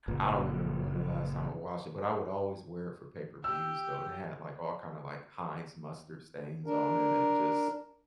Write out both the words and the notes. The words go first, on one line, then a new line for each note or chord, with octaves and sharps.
I don't remember when the last time I watched it but I would always wear it for pay-per-views, though, and it had, like, all kinda, like, Heinz mustard stains on it and just
F#1 A#2
G4 E6
D4 A#4